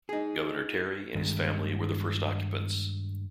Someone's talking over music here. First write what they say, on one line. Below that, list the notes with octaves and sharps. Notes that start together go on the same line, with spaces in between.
Governor Terry and his family were the first occupants.
D#4 G#4
G2 D#3 G#3